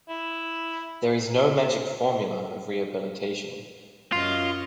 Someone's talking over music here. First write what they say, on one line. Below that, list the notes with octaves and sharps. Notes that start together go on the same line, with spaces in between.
There is no magic formula of rehabilitation.
E4
F#2 F4 C#5 D#5